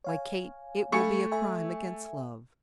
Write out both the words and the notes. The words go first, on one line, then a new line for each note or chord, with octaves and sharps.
Why, Kate, it will be a crime against Love.
C#5 F5 G#5
A3 F5 G#5 B5 C#6 C#7
A4 E5 G#5